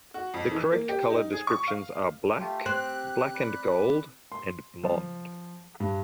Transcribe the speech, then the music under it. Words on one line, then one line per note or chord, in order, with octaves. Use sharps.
The correct color descriptions are black, black and gold, and blond.
F#4
F2
E3
A#3
G4
D#4
G#4
C#6
F5
A3 F4 G4
C4 G4 F#6
D5 B5
C6
F3
G2